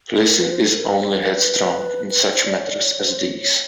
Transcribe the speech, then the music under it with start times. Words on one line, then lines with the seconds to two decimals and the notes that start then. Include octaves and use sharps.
Lizzy is only headstrong in such matters as these.
0.15 G#4
0.26 A#4
0.40 B4
0.51 C5
0.64 A4
0.76 A#4
0.88 B4
1.00 C5
1.11 B4
1.23 A#4
1.34 B4
2.10 B4
2.23 C5
2.34 C5
2.46 D5
2.59 C#5
2.71 D5
2.83 C#5
3.00 B4
3.07 C5
3.19 C#5
3.44 C#5